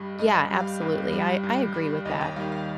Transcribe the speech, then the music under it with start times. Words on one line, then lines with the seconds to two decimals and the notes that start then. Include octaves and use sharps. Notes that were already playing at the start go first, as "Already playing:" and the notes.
Yeah, absolutely. I I agree with that.
Already playing: G2 G3 D#5
0.19 G2 D#5
0.50 G3 G5
0.61 F5
0.81 G2
1.12 G3
1.43 G2
1.74 G3
2.05 D#2 D#5
2.21 G5
2.36 D#3 G3 F5
2.52 F5